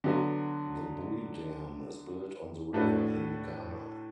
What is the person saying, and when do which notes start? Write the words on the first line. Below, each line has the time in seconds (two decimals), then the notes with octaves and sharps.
The Bui Dam is built on the river in Ghana.
0.04 D3 F#3 B3 F#4
2.73 A2 A3 D4 F#4 B4